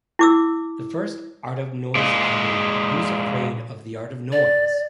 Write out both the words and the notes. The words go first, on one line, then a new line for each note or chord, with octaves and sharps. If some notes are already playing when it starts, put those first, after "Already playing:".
The first Art of Noise album, Who's Afraid of the Art of Noise?
E4 D6 E6
A#2 G#3
D5